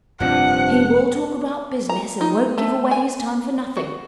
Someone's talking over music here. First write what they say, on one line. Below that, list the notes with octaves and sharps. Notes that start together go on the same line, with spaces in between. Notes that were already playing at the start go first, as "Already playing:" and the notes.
He will talk about business, and won't give away his time for nothing.
F1 G2 A#2 F3 C4 D4 F#5
A#5
D#4
A3
G#5
F#4